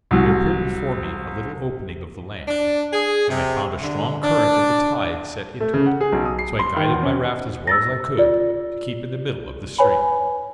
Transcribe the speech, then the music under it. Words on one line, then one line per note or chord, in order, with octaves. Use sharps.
There appeared before me a little opening of the land, and I found a strong current of the tide set into it; so I guided my raft as well as I could, to keep in the middle of the stream.
C2 F#3
D4
G#4
C3
D3
D4
A3
C#3
F#5
G#4
B1
D#6
C7
C6
D#3
E2
C#4
E6 A6 A#6
F4 D5
B4 C#5 G#5 B5